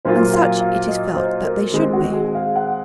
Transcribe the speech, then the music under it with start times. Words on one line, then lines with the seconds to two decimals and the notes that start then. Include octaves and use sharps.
And such it is felt that they should be.
0.05 A#2 F#3 A#3 F4 C5
0.33 F5
0.61 F5
0.88 D#5
1.16 C5
1.44 A#4
1.72 D#3 G#3 C4
1.93 F#4
2.13 G#4
2.35 F5
2.56 F#5